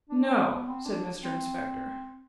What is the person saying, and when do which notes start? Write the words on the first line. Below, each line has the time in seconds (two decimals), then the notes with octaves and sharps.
'No,' said Mr Inspector.
0.09 D4
0.30 C4
0.49 B3
0.68 C4
0.85 D4
1.23 C4